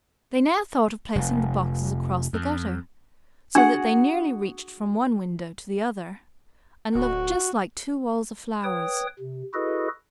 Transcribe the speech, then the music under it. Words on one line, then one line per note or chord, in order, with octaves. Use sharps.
They now thought of placing the boxes across the gutter, so that they nearly reached from one window to the other, and looked just like two walls of flowers.
F1
F2
D4 F#4 G#4 F#5
D1 F#4
B4 C#5 G5 D#6
C3
E4 F#4 G#4 A4 B4 D#5